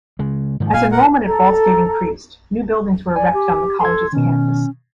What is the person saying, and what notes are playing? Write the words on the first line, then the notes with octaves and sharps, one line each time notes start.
As enrollment at Ball State increased, new buildings were erected on the college's campus.
C#3 G#3
G#2 D#3 F3
A#2 F5 G#5
A#4 F#5
A4 A#5
D5 G#5
G4
A4 C6 G#6
B2 D#3 C#4